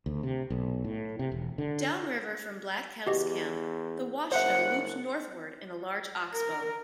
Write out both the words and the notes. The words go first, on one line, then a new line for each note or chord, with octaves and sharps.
Downriver from Black Kettle's camp the Washita looped northward in a large oxbow.
D2
C3
B1
A2
C3
E1
D3
E2 F#4 G4 D#5
F#1 C5 E5 F#5
A#4